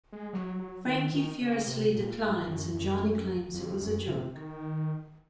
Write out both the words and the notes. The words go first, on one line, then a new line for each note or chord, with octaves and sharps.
Frankie furiously declines and Johnny claims it was a joke.
G#3
F#3
F#3
D#3
D#3
C#3
C3
A#2
G#2
F#2
F#2
F2
F#2
C3
D#3